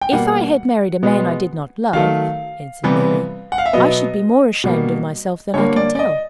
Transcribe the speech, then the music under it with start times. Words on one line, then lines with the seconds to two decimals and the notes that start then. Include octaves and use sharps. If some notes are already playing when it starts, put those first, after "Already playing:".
"If I had married a man I did not love," answered Mary, "I should be more ashamed of myself than I can tell."
0.01 G5
0.12 B2 G3 A#3 F#5
1.03 B2 G#3 B3
1.93 D#3 F#3 A3 F5
2.84 C3 E3 G3 B3
3.52 F#5
3.58 F5
3.66 E5
3.73 B2 F#3 B3 D#5
4.64 B2 G3 A#3
5.54 D3 G3 A#3 C#5
5.76 D5
5.95 D5
5.99 D#5